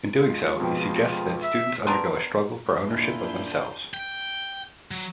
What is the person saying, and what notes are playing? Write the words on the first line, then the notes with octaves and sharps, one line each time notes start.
In doing so, he suggests that students undergo a struggle for ownership of themselves.
D2 G#3 F4
F2 B2 G5
E5
B3 C4 D4 A#4
D#2 A#2 D4 E4 F4 G6
G5
F#3